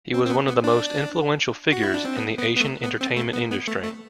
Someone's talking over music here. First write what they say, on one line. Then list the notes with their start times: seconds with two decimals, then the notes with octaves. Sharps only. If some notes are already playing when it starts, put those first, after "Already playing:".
He was one of the most influential figures in the Asian entertainment industry.
0.14 C4
0.26 C4
0.30 B3
0.48 B3
0.64 D4
1.72 F#4
1.83 E4
1.94 D4
2.05 C4
2.17 B3
2.38 B3
2.57 B3
2.61 A3
2.83 B3
3.01 C4
3.17 A3
3.33 B3
3.50 B3
3.68 A3
3.84 A3